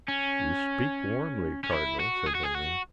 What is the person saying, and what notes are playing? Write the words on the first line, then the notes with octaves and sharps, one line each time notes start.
"You speak warmly, cardinal," said Henry.
C#4
C#4
E4
F#4
G#4
F#4
G#4
F#4